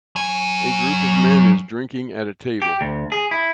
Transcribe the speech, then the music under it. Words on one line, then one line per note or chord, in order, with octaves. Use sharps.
A group of men is drinking at a table.
F#3 G#5
G4
D2
G#4
E4